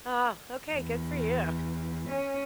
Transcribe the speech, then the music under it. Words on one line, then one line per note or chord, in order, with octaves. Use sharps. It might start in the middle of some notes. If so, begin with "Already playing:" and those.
Oh, okay, good for you.
E2
C#4